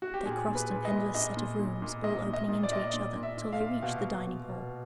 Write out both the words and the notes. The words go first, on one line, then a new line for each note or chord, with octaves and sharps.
They crossed an endless set of rooms, all opening into each other, till they reached the dining-hall.
F#4
G4
A#2 G#4
A#2
B4
A#2
D#5
A#2
A#2 D#5
A#2
A#2
A#2
A#2 D#5
A#2
D#5
A#2
D5
A#2 D#5
D5
A#2
A#2
E5
A#2
F5
A#2
B2 F5
B2
B2
B2